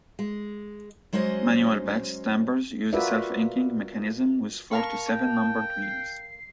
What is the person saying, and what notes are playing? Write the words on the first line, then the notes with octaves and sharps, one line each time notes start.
Manual Bates stampers use a self-inking mechanism with four to seven numbered wheels.
G#3
F#3 G#3 C#4 C5 D#5
F4 F#4 A#4 B4 D5 E5
A#4 F5 A5 B5 C#6
G5
C7